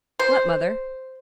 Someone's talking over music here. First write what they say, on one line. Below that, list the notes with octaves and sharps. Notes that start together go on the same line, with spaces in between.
"What, mother?"
C5